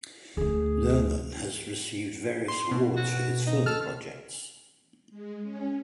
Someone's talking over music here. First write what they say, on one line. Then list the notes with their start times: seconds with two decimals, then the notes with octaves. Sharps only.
Luhrmann has received various awards for his film projects.
0.37 D2 A3 G#4
2.48 C6
2.71 B2
2.96 F#4
3.47 D#4
3.66 A4 F6
5.10 G#3
5.42 C#4